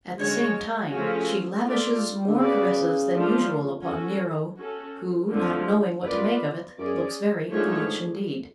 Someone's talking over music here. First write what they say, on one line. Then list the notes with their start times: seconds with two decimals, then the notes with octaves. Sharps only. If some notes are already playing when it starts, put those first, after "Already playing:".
At the same time she lavishes more caresses than usual upon Nero, who, not knowing what to make of it, looks very foolish indeed.
0.18 D3 G#3 C#4 F#4 C#5
0.92 C#3 F3 A3 C#4 F#4
1.66 A3 F4 A4 D5
2.28 D3
2.38 C#3 B3 F#4 B4 D5
3.12 F3 A3 D4 F4
3.86 C#4 F#4 A4
4.59 C#4 F#4 A4
5.32 F2 D3 F3 A3
6.05 F#2 B3 F4 B4 D5
6.78 F#2 C#4 G#4 D5
7.52 G#2 F3 A3 D4 G#4 C#5